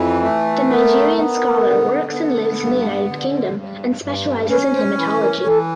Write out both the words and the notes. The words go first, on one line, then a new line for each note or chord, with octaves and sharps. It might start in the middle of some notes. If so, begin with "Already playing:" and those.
The Nigerian scholar works and lives in the United Kingdom and specialises in Hematology.
Already playing: F2 E3
A3
B3 A#4
B3
D3
B3
G2
D3
G2
G2
C#4 B4
C5
E3 B4
A#4
E3 A4